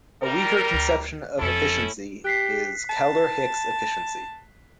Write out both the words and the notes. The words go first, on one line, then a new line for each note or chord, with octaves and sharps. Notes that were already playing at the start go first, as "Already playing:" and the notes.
A weaker conception of efficiency is Kaldor-Hicks efficiency.
G3 A#4
D2
F#1 F2 C#4 E4 A4
G4 F#6 B6 C7
A5